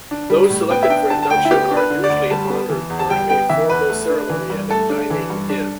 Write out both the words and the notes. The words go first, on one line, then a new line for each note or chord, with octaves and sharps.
Those selected for induction are usually honored during a formal ceremony at a dining-in.
D4
G3
A2
B3 G5
E5
D4 G5
D3 A5
A5
D2 G5
E4
B3 G4
D4
B4
D3
D5
D2
G3 A5
B3
E3
E2
A5
G3 G5
B3 G5
E3 E5
E2 B4
A3
D4
E3
G2
A3 A4
D4
E3
G2
D4